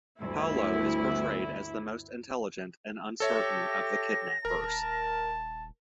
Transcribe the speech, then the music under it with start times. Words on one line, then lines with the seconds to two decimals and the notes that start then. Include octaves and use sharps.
Paulo is portrayed as the most intelligent and uncertain of the kidnappers.
0.21 G1 D2 E4
3.20 G4 A4 C#5 E5 A#6
4.45 D#1 A#4 A5